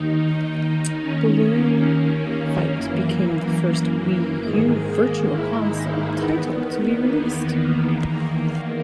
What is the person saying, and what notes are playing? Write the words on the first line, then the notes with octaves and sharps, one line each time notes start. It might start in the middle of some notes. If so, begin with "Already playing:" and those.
"Balloon Fight" became the first Wii U Virtual Console title to be released.
Already playing: D#2 D#3 D#4
D#2 D#3 C#4
A#3
F#2 E3 A#3
G#2 D#3 G#3
A#3
E4
D#4
E2 D#3 B3
B3
A#3
E2 D#3